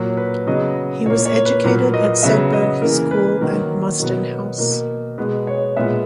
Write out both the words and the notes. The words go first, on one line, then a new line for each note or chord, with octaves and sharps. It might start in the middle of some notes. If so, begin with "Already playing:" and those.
He was educated at Sedbergh School and Mostyn House.
Already playing: A#2 F#3 A#3 C#5
B4
C#3 F#3 B3 D#5
A#2 A#3 C#5
C#5
B4
A#2 F#3 A#3 B4
D#5
C#3 F#3 B3 E5
D#5
C#3 E3 A#3 A#4
B4
D#3 F#3 A#3 A#4
B2 F#3 B3 A#4
B2 A#3 A#4
B2 G#3 B3
C#5
A#2 G#3 B3 E5